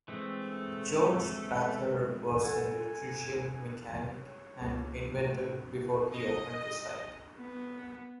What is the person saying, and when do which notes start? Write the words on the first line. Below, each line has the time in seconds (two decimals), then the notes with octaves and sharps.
George Prather was an electrician, mechanic, and inventor before he opened the site.
0.08 E3 G#3 A3 C4
2.44 A4 F#5 G#5
4.21 C#5
4.61 C#2 A#3
5.19 A2 F#4
6.13 D#5
7.39 B3